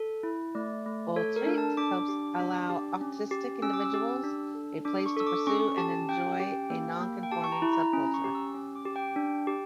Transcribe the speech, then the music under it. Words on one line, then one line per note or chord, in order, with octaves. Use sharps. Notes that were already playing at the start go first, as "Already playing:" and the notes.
Autreat helps allow autistic individuals a place to pursue and enjoy a nonconforming subculture.
Already playing: A4
E4
A3 D5
A3
A4 C#5
A#4
D4
A5
D4 D6
G4
D4
G4
C#4
G4
C#4 E6
D6
E6
G4
D4
A4
D4 D6
C#6
A4 E6
D6
C#4 C#6
G4 A5
C#4 G5
G4
A#3
A#3
G5
G4 A5
C#6
A#5
E4
A#5
C#4
A#5
C#6
G4
E6
C#4
D6
G4
G5
D4
G4